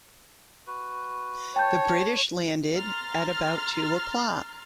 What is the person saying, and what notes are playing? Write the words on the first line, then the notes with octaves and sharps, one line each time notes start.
The British landed at about two o'clock.
F#4 B4
C#5 G5 A5 G6
A#5 C6 F6 A6